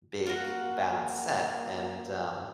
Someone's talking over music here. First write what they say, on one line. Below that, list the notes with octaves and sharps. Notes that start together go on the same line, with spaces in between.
big balanced set, and um,
A#3 F4 F#4